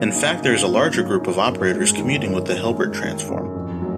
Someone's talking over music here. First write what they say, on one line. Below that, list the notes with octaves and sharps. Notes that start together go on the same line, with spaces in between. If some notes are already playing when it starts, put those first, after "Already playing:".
In fact there is a larger group of operators commuting with the Hilbert transform.
Already playing: C#3 F#3 A#3
D#4
C#3
A#3
F#3
D#4
F#2
G#3
D#3
F#2
F#2
G#3
D#3
F#2
F2
F#3